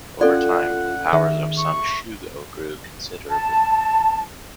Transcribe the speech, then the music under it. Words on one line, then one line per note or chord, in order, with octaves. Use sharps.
Over time, the powers of some "shugo" grew considerably.
C#4 F4 A4 D5 F#5
D#3 G#4 E5
C#6
A5